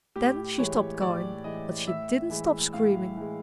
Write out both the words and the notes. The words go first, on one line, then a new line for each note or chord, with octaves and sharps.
Then she stopped going, but she didn't stop screaming.
A2 G4
E3 G#3 C#5
A2 D5
E3 G#3 D#5
A2 E5
E3 G#3
A2 F5
E3 G#3